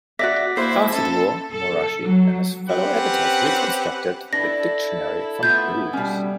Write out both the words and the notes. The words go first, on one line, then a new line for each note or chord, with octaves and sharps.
After the war, Morohashi and his fellow editors reconstructed the dictionary from proofs.
F#4 D5 E5 D6 A#6 B6
A#3 E4 C5
C#4 A4
A4
F#3
C4 C#4 G4 B4 F#5
D4 E4 A4 B4 A#6
A3 B3 F4 E5 G6
B2 G3 C#4